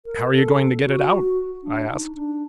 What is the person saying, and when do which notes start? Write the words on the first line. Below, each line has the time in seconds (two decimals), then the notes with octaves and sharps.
"How are you going to get it out?" I asked.
0.06 A#4
0.32 A4
0.85 F#4
1.10 F#4
1.63 D4
1.89 D#4
2.15 D4